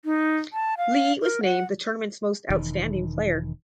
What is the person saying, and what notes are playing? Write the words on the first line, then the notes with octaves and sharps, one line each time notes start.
Lee was named the tournament's most outstanding player.
D#4
A5
F5
A#4
F#5
E1 D#3